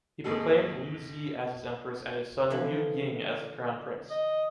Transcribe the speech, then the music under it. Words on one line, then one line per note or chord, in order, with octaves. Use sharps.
He proclaimed Lü Zhi as his empress and his son Liu Ying as the crown prince.
G#1 D#2 G#4 A4
D3 E3 F3
D#5